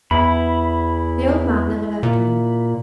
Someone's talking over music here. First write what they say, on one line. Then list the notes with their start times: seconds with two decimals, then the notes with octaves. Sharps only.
The old man never left me.
0.11 E2 E4 B5
2.03 A#2